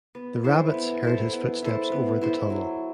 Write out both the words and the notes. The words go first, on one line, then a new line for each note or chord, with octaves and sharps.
The rabbits heard his footsteps over the tunnel.
B3
E4 A4 C5
B3
E4 A4 C5
B3
E4 A4 C5
B3
E4 A4 C5
F#3